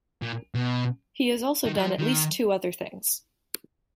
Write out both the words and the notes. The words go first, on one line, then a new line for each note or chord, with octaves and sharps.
He has also done at least two other things.
A#2
B2
D#3
F#3
F3
D#3